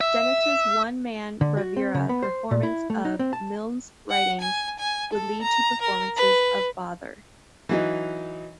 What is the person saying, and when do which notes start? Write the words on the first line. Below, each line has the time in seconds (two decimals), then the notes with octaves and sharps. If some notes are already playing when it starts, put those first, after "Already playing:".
Dennis's one-man bravura performance of Milne's writings would lead to performances of Bother!
0.01 E5
1.41 D3
1.57 F#4
1.77 C4
1.94 C#3
2.09 B3
2.23 C5
2.51 A#2
2.63 E4
2.90 A3
3.05 D#4
3.19 C4
3.33 A5
4.10 F#5
4.41 G#5
4.79 G#5
5.13 A4
5.42 A#5
5.82 A#4
6.16 B4
7.69 E3 F#3 D#4